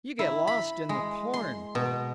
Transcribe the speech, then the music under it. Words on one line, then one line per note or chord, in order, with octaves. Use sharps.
You get lost in the corn.
E4
B5
G#3
C6
B2